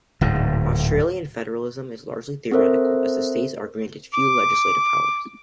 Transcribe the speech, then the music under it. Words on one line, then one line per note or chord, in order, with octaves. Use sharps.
Austrian federalism is largely theoretical as the states are granted few legislative powers.
D1 G#2
C4 A4 A#4 C5 E5
D6